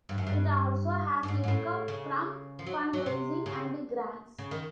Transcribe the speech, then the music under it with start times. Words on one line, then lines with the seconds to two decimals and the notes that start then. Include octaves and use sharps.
It also has income from fundraising and grants.
0.09 G2
0.18 F#2
0.27 G2
1.23 G2
1.28 G#2
1.44 G#2
1.48 A2
1.88 C#3
2.59 F3
2.66 F#3
2.93 F#3
3.06 C3
3.46 C#3
4.38 C#3
4.51 D#3